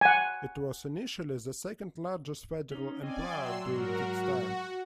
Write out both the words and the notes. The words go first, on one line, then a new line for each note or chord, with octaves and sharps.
It was initially the second largest federal employer during its time.
F#5 G#5
C#4 D#4
C4 C#4 D5 D#5 G#5
F#3 E5 G5 C6 E6
G#2 F#3 F#4 A#4
F#4